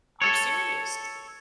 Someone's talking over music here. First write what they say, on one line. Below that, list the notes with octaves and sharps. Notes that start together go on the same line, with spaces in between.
I'm serious.
A4 C#5